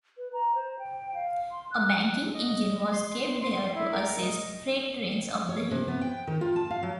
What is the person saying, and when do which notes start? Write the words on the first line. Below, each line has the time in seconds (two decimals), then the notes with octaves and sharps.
A banking engine was kept there to assist freight trains up the hill.
0.18 B4
0.33 A#5
0.55 C5
0.79 G5
1.14 F5
1.51 C6
1.71 F#6
2.35 D#5
2.93 C6
3.42 C6
3.75 E4
3.92 A#4
4.22 D#5
5.49 C#5
5.71 C3
5.88 B3
6.01 G5
6.27 D#3
6.41 F4
6.56 A5
6.70 F5
6.83 F#3